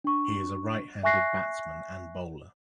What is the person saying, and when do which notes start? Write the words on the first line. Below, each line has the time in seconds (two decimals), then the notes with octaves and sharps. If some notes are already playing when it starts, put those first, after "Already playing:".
He is a right-handed batsman and bowler.
0.04 D4 C#6
1.03 E5 G#5 C#6 F#6 A#6 C7